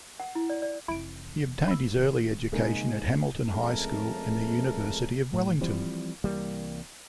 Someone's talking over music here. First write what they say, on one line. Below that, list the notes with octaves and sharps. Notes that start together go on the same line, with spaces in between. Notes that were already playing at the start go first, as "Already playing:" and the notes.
He obtained his early education at Hamilton High School and the University of Wellington.
F#5
E4
D5
D5
F1 E3 E4 D7
A#3 B3 B5 E6
A#2 D#3
C3 G#3 A#3 D#4
F2 C#3 G#3 A3 A#4 A5
A2
E3 F3 G3 C4
C2 E3 G3 A#3